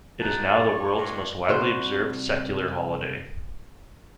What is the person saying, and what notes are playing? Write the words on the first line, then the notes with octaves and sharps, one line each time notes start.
It is now the world's most widely observed secular holiday.
F#3 D#4 A#4 A5 F#6 G6
F4 C#5 D5 C#6
G2 G#3
C2 F#4 C5